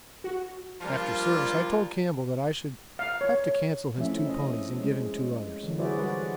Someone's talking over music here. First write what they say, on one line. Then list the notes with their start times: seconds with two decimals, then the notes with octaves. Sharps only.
After Service I told Campbell that I should have to cancel his two ponies and give him two others.
0.24 F#4
0.81 F3 G3 A#3 D4 F4
2.99 F5
3.21 C#5
3.44 C#5
3.98 F3 A3 C4 C#4 E4 E5
4.24 C#4 D#5
4.81 G#3
5.64 D3 E3 F#3
5.78 F#4 G#4 B4 C5 D5 E5
5.97 G3 F#4 B4